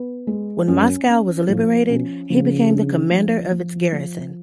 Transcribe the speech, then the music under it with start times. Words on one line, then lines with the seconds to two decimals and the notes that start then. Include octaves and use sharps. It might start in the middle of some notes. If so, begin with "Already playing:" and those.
When Moscow was liberated, he became the commander of its garrison.
Already playing: B3
0.27 G#3
0.68 F#2 C#4
1.08 C#4
1.49 A2 F3
1.89 B2 C#4
2.30 C#3 F3
2.70 D4
3.11 F3
3.52 F3
3.92 F3